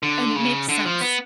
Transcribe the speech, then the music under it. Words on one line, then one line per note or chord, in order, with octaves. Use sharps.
and it makes sense.
D3
C#3
D3
F3
B3